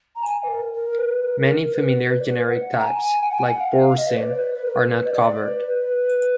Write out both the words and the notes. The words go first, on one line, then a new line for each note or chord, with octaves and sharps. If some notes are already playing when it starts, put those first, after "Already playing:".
Many familiar generic types, like Boursin, are not covered.
A#5
G#5
B4
A#4
A#4
B4
A#4
A#4
B4
B4
D5
B4
F#5
A#5
G#5
F#5
G#5
F#5
F5
F5
D#5
B4
D5
B4
B4
A#4
B4
D#5
D5
B4